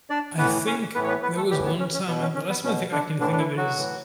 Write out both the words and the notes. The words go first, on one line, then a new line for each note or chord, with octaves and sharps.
I think there was one time and the last one I think I can think of it is
D4 D5
A2 E3 B3 B4
C#4 C#5
A2 E3 B3 B4
C#5
B3 B4
B3 B4
A3 A4
A2 E3 G3 G4
B3
C#4
C#4
B2 B3
C#4
C#4
B3
B2 C#4
D3 D4
A2 D3 E3 D4
D4
E3 E4
F#3 F#4
A2 E3